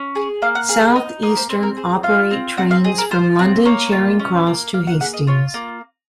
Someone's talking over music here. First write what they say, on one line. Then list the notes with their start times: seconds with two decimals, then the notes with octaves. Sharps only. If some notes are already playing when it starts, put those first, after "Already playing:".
Southeastern operate trains from London Charing Cross to Hastings.
Already playing: C#4
0.15 G#4
0.42 A#3 F5
0.55 F#5
0.69 G#4 F5
0.83 F5
0.96 D#4 D#5
1.22 A#3 D#5
1.36 C5
1.49 C4 C5
1.63 A#4
1.77 G#4 C5
2.03 F4 F5
2.31 C4
2.57 C4 F#5
2.71 F5
2.84 G#4 D#5
2.98 A#4
3.11 F4 C5
3.39 C4
3.65 A#3 C#5
3.92 F4
4.19 C#4
4.47 A#3
4.74 A#3 F5
4.87 F#5
5.00 G#4 F#5
5.14 D#5
5.27 F4 C#5
5.54 A#3